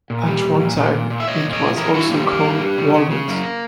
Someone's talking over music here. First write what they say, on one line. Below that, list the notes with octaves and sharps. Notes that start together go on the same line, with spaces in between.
At one time it was also called Walnut.
A#2
G3
A#2
A#2
A#2
A#2
A#2
E5
A#2 C#5 D#5
A#2
C#5 D#5
A#2
E3 G#4 A#4
G2 E4 F#4
G3 A#3 C4
G2 A#3
G2
G3
C#3
C#3
C#3
F#2 A#3